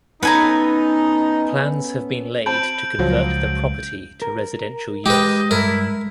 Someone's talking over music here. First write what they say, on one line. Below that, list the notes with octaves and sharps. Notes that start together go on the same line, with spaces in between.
Plans have been laid to convert the property to residential use.
B3 C#4 D#4 A4 B4 G#5 A#5
C4 A5 B5 G6 D7 F#7
C#2 F3 F#3
A#4
G#3 G4 B4 D#5
G2 E4 A#4